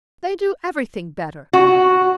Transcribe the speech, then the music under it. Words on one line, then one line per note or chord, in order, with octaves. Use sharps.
"They do everything better."
F#4